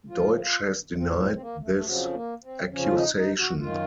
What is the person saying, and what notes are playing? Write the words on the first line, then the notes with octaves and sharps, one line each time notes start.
Deutsch has denied this accusation.
A2 F3 F4
F4
A2 F3 C4
C4
C4
A#3
A3
A3
F2 C#3 F3 F#3
A#3
C4
F2 C#3 F3 C#4
F4
D#4
D#4
F#4
F#2 D#3 F4